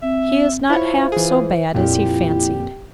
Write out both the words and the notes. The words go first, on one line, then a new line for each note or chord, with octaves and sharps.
He is not half so bad as he fancied.
C4 E5
E4 F4 C5 C#5
E3 G#4
F2 A#2 E4 G4